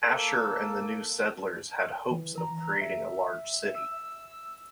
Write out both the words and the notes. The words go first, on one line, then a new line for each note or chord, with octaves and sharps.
Asher and the new settlers had hopes of creating a large city.
A#3 A4
E3
A#5
E5
E6